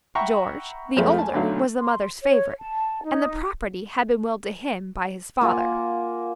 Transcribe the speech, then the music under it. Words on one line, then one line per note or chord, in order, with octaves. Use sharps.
George, the older, was the mother's favourite, and the property had been willed to him by his father.
E5 F#5 G5 A#5 B5 C#6
F2 F3 G#3 A3
G#5 A5
B1 D3 F#3 A3 F5
C6
C#5
A5
D#4
A#3 F4 F#5 G#5